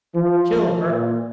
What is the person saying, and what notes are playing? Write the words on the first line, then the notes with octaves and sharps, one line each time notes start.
Kill her!
F3
A#2